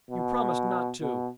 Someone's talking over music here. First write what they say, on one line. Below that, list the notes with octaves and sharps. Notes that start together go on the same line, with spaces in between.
"You promised not to!"
B2
B2